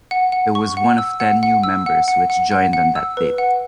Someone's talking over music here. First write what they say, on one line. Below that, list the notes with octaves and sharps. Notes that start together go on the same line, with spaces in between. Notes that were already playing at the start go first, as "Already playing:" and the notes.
It was one of ten new members which joined on that date.
F#5
F#5
C#6
F#5
E6
F#5
F#5
E6
F#5
F#5
F#5
F#5
F#5
E6
B4
F#5